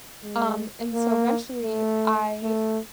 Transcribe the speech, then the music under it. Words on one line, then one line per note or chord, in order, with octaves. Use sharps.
Um, and so eventually, I
G#3
A#3
A3
A3